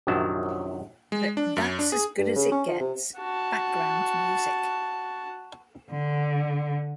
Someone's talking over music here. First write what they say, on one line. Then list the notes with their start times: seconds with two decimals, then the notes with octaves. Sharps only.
But that's as good as it gets: "background music".
0.07 A#1 F#2 C3 D#3 F#3 A5
1.12 G#3
1.37 D4
1.57 F#2
1.79 D4
1.92 G#4
2.18 G2
2.36 C#3
2.52 C#4
2.68 F3
2.80 C3
3.17 F#4 A5
5.90 D3